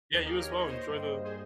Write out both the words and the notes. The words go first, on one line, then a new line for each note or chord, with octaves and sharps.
Yeah, you as well. Enjoy the
D#2 D#3 A#3 D#4 G#4
G4 A#4
A#4 C#5
D#5
C#5
C5 D#5
G2 G3 A#3
G#4 C5